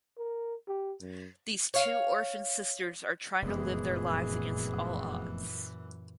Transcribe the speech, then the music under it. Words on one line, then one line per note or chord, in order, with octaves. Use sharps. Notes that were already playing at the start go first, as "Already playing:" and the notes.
These two orphan sisters are trying to live their lives against all odds.
A#4
G4
F#2
C#5 F5
F1 F#2 A#2 E3 G#3 B3 G#4